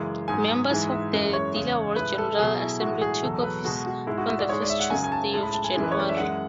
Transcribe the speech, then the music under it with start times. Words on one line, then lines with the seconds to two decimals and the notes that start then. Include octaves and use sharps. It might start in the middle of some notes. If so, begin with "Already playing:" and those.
Members of the Delaware General Assembly took office on the first Tuesday of January.
Already playing: F#2 C#3 E3 G#3
0.28 G#2 F#3 G#5
0.70 G#2 E3 G#3 G#5
0.92 E5
1.13 F#2 E3 G#3
1.33 C#5
1.54 E2 C#3 G#3
1.96 A2 G#3 B4
2.18 A4
2.38 B2 F#3 G#4
2.60 E4
2.80 A2 E3 G#3 F#4
3.01 G#4
3.23 E2 B2 F#3 A4
3.43 B4
3.65 B2 G#3 F#4
3.86 F#4
4.07 G#2 G#3 E4
4.18 F#4
4.28 E5
4.39 D5
4.49 G#2 G#3 C#5
4.62 D5
4.70 E5
4.80 F#5
4.90 F#2 C#3 F#3 G#5
5.04 G#5
5.12 A5
5.33 A2 G#3 A5
5.43 B5
5.54 A5
5.64 G#5
5.74 F#2 E3 G#3
5.83 B4
5.92 C#5
6.00 D5
6.09 E5
6.17 F#2 E3 G#3 F#5